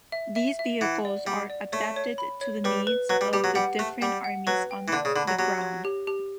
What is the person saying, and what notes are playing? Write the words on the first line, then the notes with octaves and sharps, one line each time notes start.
These vehicles are adapted to the needs of the different armies on the ground.
E5
E5
E5
E3 F#5
D5
G3 F#5
D5
A3 C#5
C#5
B5
C#5
G3 B4
B4
F#3 B4
G3
G3 G4
F#3
G3 F#5
A3 F#6
G3 F#5
F#5
F#3 B4
G5
E3
D3 D5
C#3
D3 B5
F#3
F#3 G4
C#5
G4
G4